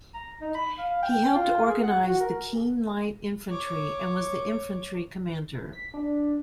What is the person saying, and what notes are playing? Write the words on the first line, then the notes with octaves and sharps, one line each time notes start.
He helped organize the Keene light infantry and was the infantry commander.
A#5
D#4
B5
F5
G5
F4
G#4
F#5
F#4
A#4
C#5 D6
B6
D4